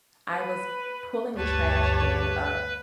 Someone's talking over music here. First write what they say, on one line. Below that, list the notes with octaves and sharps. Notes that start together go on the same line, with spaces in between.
I was pulling the trash bin up
B4
G1 D2 G4 B4 C#5 A5